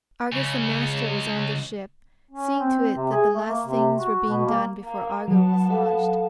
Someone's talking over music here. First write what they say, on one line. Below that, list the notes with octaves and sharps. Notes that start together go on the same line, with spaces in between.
Argus the master was on the ship, seeing to it that the last things were being done before Argo was launched.
C#2 C#3
C#4
C4
C3
G#4
A3
A#3
C3
F#4
B2
A#3
A#3
F#3 B3 A5
A4 F5 F#5